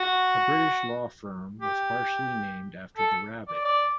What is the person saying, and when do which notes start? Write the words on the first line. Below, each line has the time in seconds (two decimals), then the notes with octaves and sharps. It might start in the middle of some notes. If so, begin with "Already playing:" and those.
A British law firm was partially named after the rabbit.
Already playing: F#4
1.61 G4
2.97 A4
3.48 D5
3.65 D5